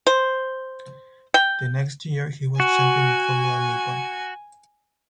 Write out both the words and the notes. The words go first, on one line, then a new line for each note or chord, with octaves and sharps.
The next year he was champion in Formula Nippon.
C5
G5
F#4 G#5